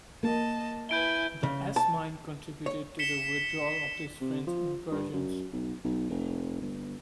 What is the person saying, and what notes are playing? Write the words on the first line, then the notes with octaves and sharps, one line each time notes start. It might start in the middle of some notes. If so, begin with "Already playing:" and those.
The S-mine contributed to the withdrawal of these French incursions.
A#3 D#5 A5
E4 B4 G#5 G6 D7 G7
C#3
A5
C#5
B6 C#7 E7 G7
C3
F3
G2
F#2
B1
B1
F1
G1